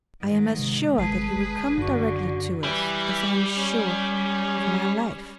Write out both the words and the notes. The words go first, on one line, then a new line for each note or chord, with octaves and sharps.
I am as sure that he will come directly to us, as I am sure of my life.
G#2 D#3
C3
G#1 G#3 G#4 B4 A5
G1
F#2 D3 F#4 C#6
E3 G3
C#4